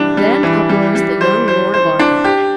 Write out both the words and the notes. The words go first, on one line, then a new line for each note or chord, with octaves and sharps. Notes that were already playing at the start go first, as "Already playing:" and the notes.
Then uprose the young Lord of Arkell.
Already playing: E3 G3 D4
G3
E3
G3
G3
C5
C5
C5
D4
G4